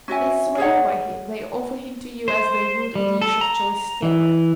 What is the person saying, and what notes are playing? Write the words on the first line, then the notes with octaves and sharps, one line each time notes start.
They swear by him, they offer him to you as they would a dish of choice sterlet.
C#4 F#4 E5 G#5
G#4 C#5 F#5
C5
G3
A4
A#5
E3